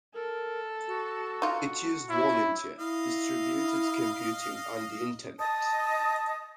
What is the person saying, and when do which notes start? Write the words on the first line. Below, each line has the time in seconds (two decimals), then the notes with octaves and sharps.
It used volunteer distributed computing on the Internet.
0.14 A4 A#4
0.87 F#4
1.42 D#4 F4
2.10 E4 C#5
2.79 E4 D#5 F5
5.40 D#5 A5 D#6